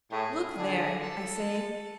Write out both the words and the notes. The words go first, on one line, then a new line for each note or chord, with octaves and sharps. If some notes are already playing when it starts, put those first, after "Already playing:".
"Look there!" I say.
A2 A3 G#4
D3 D4 G#4
A4